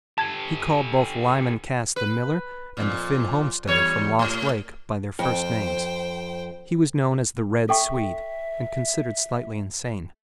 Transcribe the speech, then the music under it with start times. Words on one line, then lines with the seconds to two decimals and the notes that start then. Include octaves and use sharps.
He called both Lyman Cass the miller and the Finn homesteader from Lost Lake by their first names. He was known as "The Red Swede," and considered slightly insane.
0.18 G4 A4 A5 G#6
1.96 B4
2.77 F2 A#2
3.67 E2 G3 C#5
4.19 A2
5.19 F2 C5 G5
7.69 A4 E5 G5 C#6